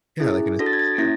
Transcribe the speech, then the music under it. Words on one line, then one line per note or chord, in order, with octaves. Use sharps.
Yeah. Like an associate.
C#4 E4 G#4
D4 F#4 A4 A#6
A6
G#6
A6
A#3 C#4 E4 A#6